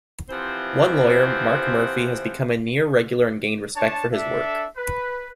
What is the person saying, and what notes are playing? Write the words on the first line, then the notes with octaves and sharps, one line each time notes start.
One, lawyer Marc Murphy, has become a near-regular and gained respect for his work.
C3 E3 F3 C4 C5 F#5
D4 C#5 A5
D4 A4 E5
B4